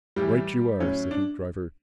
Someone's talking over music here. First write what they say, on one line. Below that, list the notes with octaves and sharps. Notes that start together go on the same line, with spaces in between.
"Right you are!" said Hoopdriver.
A2 E3 G3 G4
A2 F#3 C#4
D4